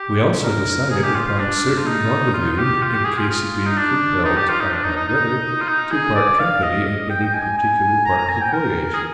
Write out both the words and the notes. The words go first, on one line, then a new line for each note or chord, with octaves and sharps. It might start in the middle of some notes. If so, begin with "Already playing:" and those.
We also decided upon certain rendezvous in case of being compelled, by bad weather, to part company at any particular part of the voyage.
Already playing: G4
A#4
G#4
G4
F4
F4
D4
F4
D#4
F4
F4
G4
F4
G4
G#4
F4
F4
D#4
D4
D#4
G4
F4
D#4
D4
D#4
D#4
D#4
F4
D#4
G#4
D5
F5
D#5
G5
G5
G#5
G#5
A#5
A#5
G#5
G5
A#4
G#4